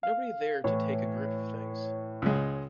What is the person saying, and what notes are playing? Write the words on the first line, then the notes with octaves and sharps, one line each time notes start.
Nobody there to take a grip of things.
F5
A2 E3 C#5
C#2 G#3